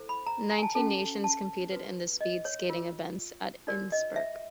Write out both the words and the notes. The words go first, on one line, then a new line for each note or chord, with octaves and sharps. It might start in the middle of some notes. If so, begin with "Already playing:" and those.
Nineteen nations competed in the speed skating events at Innsbruck.
Already playing: E4 A4 C5
B5
A#5
A#5
G#5
A5
C#4 F#4 A4 A5
A5
F#4 B4
D#5
C#5
F4 A#4 C#5
D#4 F#4 A#4 C#5 D5
D#5
E5